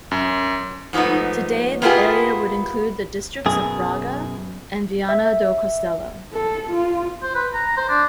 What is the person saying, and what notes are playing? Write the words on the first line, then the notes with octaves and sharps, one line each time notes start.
Today, the area would include the districts of Braga and Viana do Castelo.
F#2
G#2 F3 A3 B3 D#4
A#3 B3 E4 F4 G4 G#4
F#2 B2 G#4
E5
A4
F4
C5
B4
A#5
C5
D4